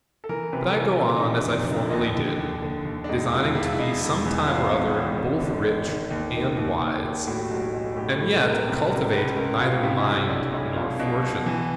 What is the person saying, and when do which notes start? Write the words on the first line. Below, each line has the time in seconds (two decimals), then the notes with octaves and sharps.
But I go on as I formerly did, designing to be some time or other both rich and wise; and yet cultivate neither mind nor fortune.
0.24 A4
0.29 E3 A#4
0.53 C3 B4
0.69 A4
0.76 E3 A#4
0.88 A#4
0.99 C3 A4
1.17 D#4
1.23 C3
1.34 D4
1.46 F2
1.51 D4
1.69 D3 D#4
1.79 E4
1.89 D#2 D#4
2.15 D3
2.39 D#2
2.62 D3
2.85 D#2
3.04 D4
3.09 E1 D#4
3.32 E1 F4
3.45 F4
3.55 E1 E4
3.73 E4
3.78 E1 D#4
4.01 E1
4.25 E2
4.42 E4
4.48 G#1 F4
4.71 G#1
4.95 G#1
5.18 G#1
5.41 D3
5.64 G#1
5.88 D#3
6.11 D#2
6.35 D#3
6.57 D#2
6.80 D#2
7.04 D#2
7.27 A2 F#4
7.38 G4
7.49 B1 F#4
7.74 B1
7.97 A2 G4
8.14 A4
8.20 A2
8.32 A4
8.43 A2
8.50 A#4
8.67 C3 A#4
8.80 B4
8.90 C#2 A#4
9.13 C#2 B4
9.36 C#2 A#4
9.60 C#2 F4
9.83 C3 E4
10.06 B1 E4
10.29 B1 D4
10.52 B1 E4
10.76 B2 F4
10.99 B2
11.23 B2
11.46 E3